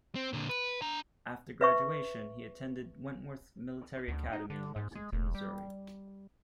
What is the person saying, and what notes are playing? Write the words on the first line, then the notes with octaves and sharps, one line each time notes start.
After graduation, he attended Wentworth Military Academy in Lexington, Missouri.
C4
A#2 D3
B4
D4 A#5
B4 E5 C#6
D2
D#4
D3
G#2
G#3
E1
G3